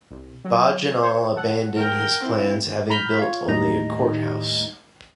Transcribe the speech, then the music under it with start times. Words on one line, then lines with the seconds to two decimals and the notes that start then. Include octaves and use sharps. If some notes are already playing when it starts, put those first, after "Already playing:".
Bagenal abandoned his plans, having built only a courthouse.
0.11 C2
0.45 F#3
1.02 C5 C#5
1.36 A4 F#5
1.77 A#4 G5
2.20 C4 E4
2.90 A#5 B5 F6 G6 B6
3.19 F4 C#5
3.48 D#2 A2 G3 D#4 A#5